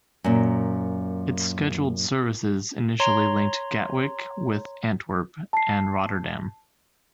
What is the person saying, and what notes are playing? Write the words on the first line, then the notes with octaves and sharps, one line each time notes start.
Its scheduled services initially linked Gatwick with Antwerp and Rotterdam.
F#2 A#2
C#5 A#5 C6
A5 C7